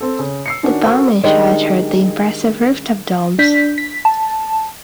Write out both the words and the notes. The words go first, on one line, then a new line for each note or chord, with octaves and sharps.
The bombing shattered the impressive rooftop domes.
C4 A4
C#3
E6 C7 C#7
D#3 C#4 D4 F#4
F#4 A4 A#4 C5 C#6 E6
D#3 G3 G#3 D4
D4 G6 B6
B6
A5